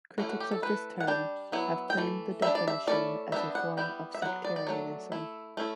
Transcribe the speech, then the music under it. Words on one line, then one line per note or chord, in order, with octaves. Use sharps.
Critics of this term have claimed the definition as a form of sectarianism.
E3 A3 C#4 E4 F#4
F#4
G4
A4
A3 E4 B4
F#5
G3 D4 G5
F#3 B3 E4
G5
E3 A3
G3 D4 E5
D5
E5
A3 C#4 E4 D5
G3 B3 D4 E5
F#5
G3 B3 E4 G5
E5
F#3 B3 E4 F#5
D5
D5
F#3 A3 D4 C#5
A3 E4
A3 C#4 E4